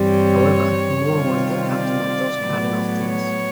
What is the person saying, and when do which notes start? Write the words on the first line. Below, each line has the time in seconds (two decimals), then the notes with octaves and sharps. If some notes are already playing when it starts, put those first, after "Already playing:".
However, Moore was the captain of those Cardinals teams.
Already playing: G2 E3 G3 C4
0.09 C#5
1.08 C3 D#3 G3 C4 F4
1.75 D5
2.40 A2 F#3 B3
3.06 C#5